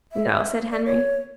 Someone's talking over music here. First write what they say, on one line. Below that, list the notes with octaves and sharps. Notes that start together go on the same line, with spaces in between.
"No," said Henry.
E5
D5
C#5